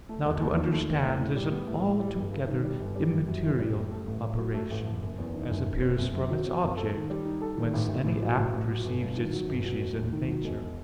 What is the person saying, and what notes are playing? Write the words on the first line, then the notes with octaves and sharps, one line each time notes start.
Now to understand is an altogether immaterial operation, as appears from its object, whence any act receives its species and nature.
A3
E1
D#2
D#3
A3
E1
A2
A2
G3
B3
A2
A2
G3
G1
G2
D#3
G3
G1
G3
F#1
F#2
E3
G3
F#1
A3
A1
A2
F#3
A3
A1
F#1
F#1
E2
D#3
F#1
F#1
C4
F#1
F#2
F#3
C4
F#1
A4
D#3
G3
D#4
A4
D#3
A1
A1
A2
F#3
A1
A1
F#3
G1
G2
D#3
F#3
G1
F#3
E1
D#2
D#3
F#3
E1